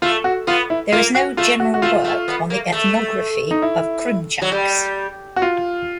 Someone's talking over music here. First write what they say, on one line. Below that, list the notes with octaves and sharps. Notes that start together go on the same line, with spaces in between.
There is no general work on the ethnography of Krymchaks.
A3 F4
F#4
B3 F4
E4
A#3 F4
F#4
A3 F4
F#4
F#4
A3 F4
A3
B3
A#3
A3
D#4
E4
F#3
G3
F#4
F4